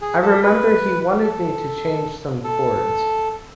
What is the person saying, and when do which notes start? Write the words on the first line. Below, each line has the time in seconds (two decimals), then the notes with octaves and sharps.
I remember he wanted me to change some chords.
0.02 G#4
0.22 A4
0.43 B4
1.23 A4
2.44 A4